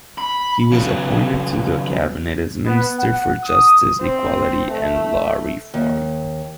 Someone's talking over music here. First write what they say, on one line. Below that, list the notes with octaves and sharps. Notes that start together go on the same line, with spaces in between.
He was appointed to the cabinet as Minister for Justice, Equality and Law Reform.
B5
C#3 F#3 B3
B3
F#5
D#6
C4
A3
D#2